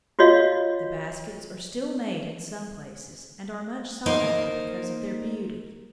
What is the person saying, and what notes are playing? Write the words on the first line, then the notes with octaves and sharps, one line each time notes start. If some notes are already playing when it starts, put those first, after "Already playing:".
The baskets are still made in some places, and are much sought after because of their beauty.
F4 F#4 C#5 D#5 F5
A#3 D#4 A#4 C5